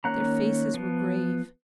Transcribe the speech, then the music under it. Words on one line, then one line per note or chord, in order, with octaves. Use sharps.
Their faces were grave.
D#3 A#3 C#4 F#5 A#5
F3 B3